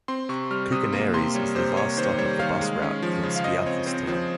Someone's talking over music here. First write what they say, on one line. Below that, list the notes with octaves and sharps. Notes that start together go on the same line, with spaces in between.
Koukounaries is the last stop of the bus route from Skiathos Town.
C4 C6
C3 C#6
G3 F6
C3 D#6
A#3
C3 C6
G3 C#5
C3 C5
A#3 C#5
D#3 C5
G3 C#5
D#3 F5
G#3
C#4
F3
C#3
F5
F3 D#5
C4 C#5
C4 C5
F3 C5